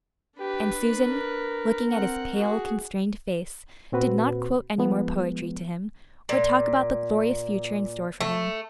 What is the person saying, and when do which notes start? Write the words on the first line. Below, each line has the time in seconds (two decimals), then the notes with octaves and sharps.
And Susan, looking at his pale, constrained face, did not quote any more poetry to him, or talk about the glorious future in store for him.
0.40 D4 G4 B4
0.95 A#4
1.90 C4 F#5
2.36 F#4 G#4
3.92 A#2 C4 F#4 B4
4.78 F3 G#3 B3
6.29 A#2
8.21 A3